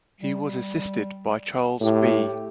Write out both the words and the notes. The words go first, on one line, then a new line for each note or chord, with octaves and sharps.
He was assisted by Charles B.
G3
A2 G4